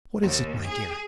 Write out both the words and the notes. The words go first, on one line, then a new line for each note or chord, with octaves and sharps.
'What is it, my dear?
D#2
G#4